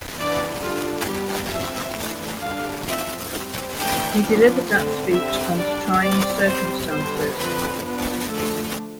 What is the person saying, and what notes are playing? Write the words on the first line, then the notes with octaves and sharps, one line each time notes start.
He delivered that speech under trying circumstances.
E3 B3 D4 D5
D3 G3 D4 F4
G3 B3 D4 G4
F3 C4 E5
E3 A3 D4
D3 G3 D4 F5
F3 C4 E5
G3 C4
E3 A3 D4 G5
F3 B3 D4
D3 A3 C4
D3 G3 C4 E5
G3 D4 D5
G3 C4 D5
G3 C4 C5
D3 G3 B3 C5
D3 F3 C4 B4
F3 B3 D4
D3 F3 A3 D4 A4